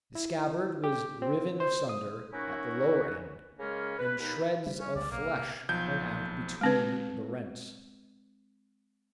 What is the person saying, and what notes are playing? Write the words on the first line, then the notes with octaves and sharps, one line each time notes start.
The scabbard was riven asunder at the lower end, and shreds of flesh hung out between the rents.
E4
G4
C4
C5
D#6
C#4 D#4 E4 F#4 A#4
C#3 G#3 A#3 C#4 A#4
B4
D#2 D#4 B5
G3
C#4
C#2 D5
B1 A#3
C3
B1 F3 G6
G#3 C4 B4